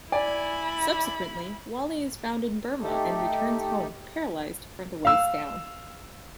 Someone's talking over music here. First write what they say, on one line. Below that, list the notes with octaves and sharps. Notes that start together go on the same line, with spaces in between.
Subsequently, Wally is found in Burma and returns home, paralyzed from the waist down.
E4 D5 G#5 B5
A3 D#4 G4 A4
F5 E6